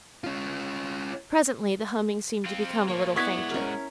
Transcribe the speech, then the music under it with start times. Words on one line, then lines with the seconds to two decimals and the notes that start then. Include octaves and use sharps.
Presently the humming seemed to become a little fainter.
0.24 C#4 F4
2.45 C4 F4
2.88 A2 A#3 C#5
3.16 G#3 B3 E4 D5 F#5 C#6 G#6 B6
3.51 C#4 A#4